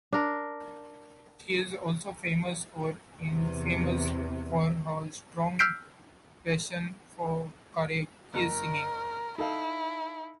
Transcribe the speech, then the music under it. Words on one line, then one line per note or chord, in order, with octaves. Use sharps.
She is also famous, or infamous, for her strong passion for karaoke singing.
D4 A#4
E2 C3
E6 F6 G6 B6 C7 D7
F#1 A#4
D#4 E4 A4 F5